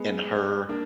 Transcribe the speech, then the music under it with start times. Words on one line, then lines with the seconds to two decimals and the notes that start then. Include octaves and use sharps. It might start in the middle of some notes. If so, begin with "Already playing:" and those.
and her
Already playing: G#3 B3
0.69 A#3 D4